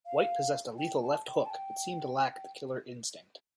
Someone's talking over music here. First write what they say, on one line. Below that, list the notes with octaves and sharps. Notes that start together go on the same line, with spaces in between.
White possessed a lethal left hook, but seemed to lack the killer instinct.
F5
G5
A5
G5
A5
G5